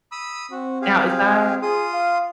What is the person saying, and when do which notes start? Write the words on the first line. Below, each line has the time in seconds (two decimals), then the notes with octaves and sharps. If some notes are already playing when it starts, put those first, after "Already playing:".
Now, is that
0.12 B5 D#6 E6
0.51 C4 F#4
0.82 G4 G#4 F5
1.62 F4 G#4 C6 D#6
1.93 F5